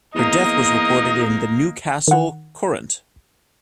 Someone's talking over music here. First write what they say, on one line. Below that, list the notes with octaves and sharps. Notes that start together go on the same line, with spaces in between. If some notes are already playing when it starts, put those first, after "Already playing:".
Her death was reported in the "Newcastle Courant".
E2 A#3 D#4 D#5
D#3 F#5